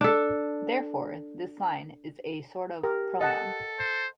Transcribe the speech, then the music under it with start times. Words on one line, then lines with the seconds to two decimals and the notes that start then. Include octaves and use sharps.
Therefore this sign is a sort of pronoun.
0.01 D4 A4
2.84 G4 A#4
3.21 A4 D#5 F#5 A5
3.79 C5